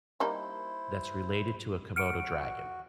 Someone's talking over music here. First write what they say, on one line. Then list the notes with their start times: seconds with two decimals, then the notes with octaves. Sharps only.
that's related to a Komodo dragon.
0.20 G3 A#3 D#4 E4 C5
1.96 F#4 F6 C#7 D7